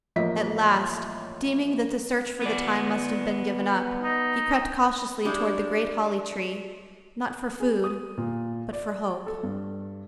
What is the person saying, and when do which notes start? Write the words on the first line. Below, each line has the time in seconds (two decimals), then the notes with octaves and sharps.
At last, deeming that the search for the time must have been given up, he crept cautiously toward the great holly tree, not for food, but for hope.
0.16 A1 F3 A#3 D#5 E5 B6
2.42 B3 D5
4.02 D#4
5.25 G3 G#3 D4 E4
7.60 G#4
7.84 D#6
8.18 A#2
8.73 D5
9.26 A4
9.43 G2